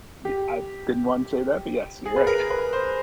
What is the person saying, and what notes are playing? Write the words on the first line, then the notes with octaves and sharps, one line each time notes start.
y I didn't want to say that, but yes, you're right.
G4
G#4
B4
A#4
B4
C5